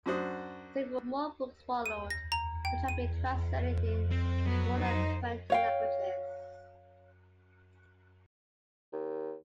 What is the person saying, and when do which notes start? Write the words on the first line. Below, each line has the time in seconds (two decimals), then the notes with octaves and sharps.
Several more books followed, which have been translated in more than twenty languages.
0.06 F#2 D4 F#4 C5 D#6
1.86 D#7
2.10 A#6
2.32 A#5
2.65 G5
2.88 D#7
4.11 C4
4.46 F#3 B3
4.80 D#4 C5
5.50 C#5 F5 G5
8.92 D#2